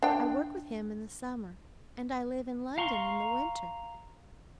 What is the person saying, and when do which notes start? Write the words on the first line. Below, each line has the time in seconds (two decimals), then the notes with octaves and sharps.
I work with him in the summer, and I live in London in the winter.
0.02 D4 G5
2.78 F5 A#5 C6 C#6